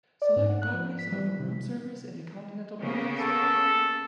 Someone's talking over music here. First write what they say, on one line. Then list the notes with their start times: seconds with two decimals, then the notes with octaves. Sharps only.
Selected properties offer room service and a continental breakfast.
0.22 D5
0.36 G#2
0.49 F#5
0.62 F#6
0.73 F3
0.99 B6
1.12 G3
1.39 C3
2.81 C#3 A#3 B3
3.21 A4